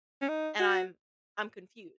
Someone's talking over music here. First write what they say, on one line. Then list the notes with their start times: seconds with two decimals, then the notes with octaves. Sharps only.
and I'm I'm confused.
0.21 C#4
0.29 D#4
0.60 F#4